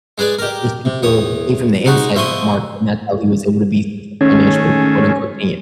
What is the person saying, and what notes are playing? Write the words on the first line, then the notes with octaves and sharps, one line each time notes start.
and those people gave him the insights of the market, and that's how he was able to be such a financial quote unquote "genius."
G#3 G#4 B4 D5
G4 A#4
C3
E2 C#5 D#6
G#3 D#4 F#4 F#5
B2 F3 E5 C6 C#6 D#6
D#3 A3 C#4 G#4